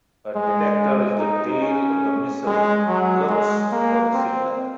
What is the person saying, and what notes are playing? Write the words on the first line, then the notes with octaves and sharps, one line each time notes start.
A detector in the tail of the missile looks for the signal.
G#3
D#4
C#4
G#3
F#3
G#3
A#3
C4